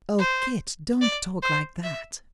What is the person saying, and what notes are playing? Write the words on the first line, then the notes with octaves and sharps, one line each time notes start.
'Oh, Kit, don't talk like that.'
C5
D5
C5
E5